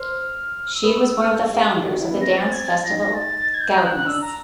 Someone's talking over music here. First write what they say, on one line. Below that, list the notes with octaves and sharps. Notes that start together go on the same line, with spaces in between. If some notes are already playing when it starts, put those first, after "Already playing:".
She was one of the founders of the dance festival Gaudeamus.
Already playing: C5 F6
E6
B4 D#6
E6
E6
F6
A4
G#4
G4
F#4
E4
B3
C4 A#6
A6
G#6
A6
A#6
D#4
A#6
A6
A6
G#6
G6
G6
F#6
F#6
D4 E6
A#5